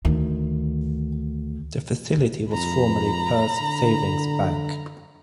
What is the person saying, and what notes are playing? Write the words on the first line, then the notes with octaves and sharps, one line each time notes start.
The facility was formerly Perth Savings Bank.
D2 D#3
F2 A#5 B5
D3